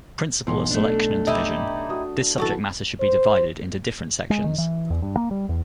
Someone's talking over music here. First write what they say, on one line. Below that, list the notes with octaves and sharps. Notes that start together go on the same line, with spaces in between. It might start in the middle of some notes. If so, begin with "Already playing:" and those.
Principle of selection and division: This subject matter should be divided into different sections.
B1 E2 C6
A3 D4
D#4 E4 G4
F#4 D#6
E3 F#3 F#4 G4 A4
C5
G#3
D#3
E3
E2
G2
A#3
G3
E2